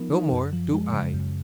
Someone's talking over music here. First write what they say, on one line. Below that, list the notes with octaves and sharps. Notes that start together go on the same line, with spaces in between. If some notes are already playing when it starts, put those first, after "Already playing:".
"No more do I!"
Already playing: F3 B3 D#4 A#4
D#4
F#2
F3
G#3
C#3
F#2